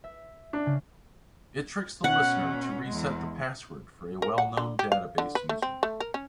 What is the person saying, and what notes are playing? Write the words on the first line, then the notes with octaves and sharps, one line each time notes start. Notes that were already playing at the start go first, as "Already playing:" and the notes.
It tricks the listener to reset the password for a well known database user.
E5
D4
C#3
B2 C#4 F#5
E2 G#3
A#4
F#5
D3
G4
F5
D3
B4
A3
C4
A3
A#4
C#4